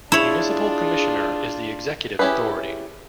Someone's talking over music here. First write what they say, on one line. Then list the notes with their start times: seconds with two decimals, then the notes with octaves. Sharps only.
Municipal Commissioner is the executive authority.
0.12 D4 E4 F4 G#4 C#5
2.19 C#4 E4 G4 G#4 B4